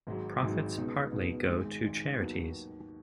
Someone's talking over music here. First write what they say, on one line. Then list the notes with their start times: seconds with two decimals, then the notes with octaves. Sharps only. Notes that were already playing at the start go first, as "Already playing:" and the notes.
Profits partly go to charities.
0.07 G#1 G#2 F#3
0.42 G#1 G#2 F#3
0.77 C#2 B2 B3 D#4
1.12 C#2 B2 B3 D#4
1.48 G#1 G#2 G#3
1.84 G#1 G#2 G#3
2.18 D#2 D#3 F#3 B3